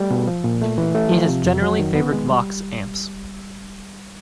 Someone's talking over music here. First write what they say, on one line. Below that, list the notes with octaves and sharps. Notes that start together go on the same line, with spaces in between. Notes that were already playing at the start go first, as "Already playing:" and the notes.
He has generally favored Vox amps.
Already playing: G3 A3
B2
F3
A#2
A3
E3
A3
F3
C3
F2
F#3
D#3
B3
G#3
G3